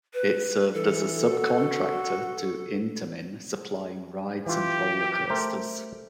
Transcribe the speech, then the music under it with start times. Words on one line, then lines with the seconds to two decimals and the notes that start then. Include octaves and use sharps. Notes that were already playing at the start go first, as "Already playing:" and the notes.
It served as a subcontractor to Intamin supplying rides and roller coasters.
0.14 B4
0.74 E3 A4
1.31 F#4
4.46 E3 F4 G4
5.30 A3 A#4 C5